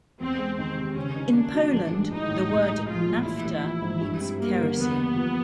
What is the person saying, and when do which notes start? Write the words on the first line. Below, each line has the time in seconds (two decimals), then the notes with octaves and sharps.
In Poland, the word "nafta" means kerosene.
0.20 E2 C4
0.38 G#3
0.58 D#3 C4
0.77 C3
0.96 C#3 C#4
1.16 D#4
1.34 A#3 D4
1.53 F#3
1.73 A1
1.91 G#3
2.11 E3 D#4
2.29 A2
2.50 C2
2.69 G#3
2.87 F3 F4
3.07 A#2
3.25 A1 E4
3.45 A1
3.64 F3
3.82 G#2
4.01 G2
4.21 C4
4.40 G3 A#3
4.59 D3
4.78 E2 B3
4.98 A#3
5.16 F3